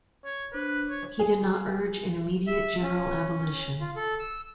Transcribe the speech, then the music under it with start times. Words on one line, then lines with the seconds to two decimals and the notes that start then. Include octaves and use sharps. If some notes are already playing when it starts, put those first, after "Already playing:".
He did not urge an immediate, general abolition.
0.25 C#5
0.53 D4 B4 C5
0.89 C#5
1.19 G#4
2.47 E5
2.83 C#4
3.80 F4
3.96 A4
4.19 E6